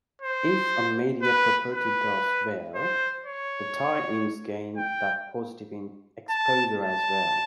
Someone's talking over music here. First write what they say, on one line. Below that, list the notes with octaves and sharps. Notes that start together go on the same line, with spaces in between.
If a media property does well, the tie-ins gain that positive exposure as well.
C5
B4
B4
C5
C#5
G5
A5
A5